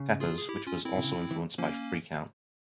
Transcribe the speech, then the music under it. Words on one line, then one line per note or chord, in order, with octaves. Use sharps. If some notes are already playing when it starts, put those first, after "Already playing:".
Pepper's", which was also influenced by "Freak Out!
Already playing: C#3
F4 G#4
G#4
E4 G4
C#4 F4
C4 E4
C3
C#3
E3
F3 A#3 C#4